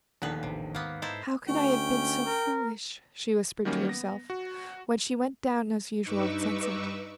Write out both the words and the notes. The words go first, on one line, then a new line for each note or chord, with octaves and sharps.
'How could I have been so foolish,' she whispered to herself, when she went down as usual at sunset.
A#1 D#2 A#2 D3 B3 B4
A1 C3
G#2 A#3 B3
D#4 E4 A4 C5
D2 C#4 G5
A#4
D#3 F#3 G3 A#3 C#4
B3 A#6
F#4
G2 D#4 B4 C#6 D6 E6